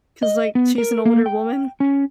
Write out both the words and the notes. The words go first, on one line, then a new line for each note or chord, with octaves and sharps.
'cause, like, she's an older woman
D#5
B3
A#4
A#3
G5
C#4